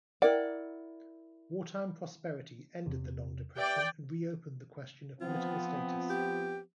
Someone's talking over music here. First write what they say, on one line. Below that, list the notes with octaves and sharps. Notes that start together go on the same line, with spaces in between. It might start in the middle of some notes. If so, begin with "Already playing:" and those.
Wartime prosperity ended the long depression and reopened the question of political status.
E4 A#4 D5 F#5
E2 C3
G4 B4 D5 E5 G5
F3 B3 C4 F4
G4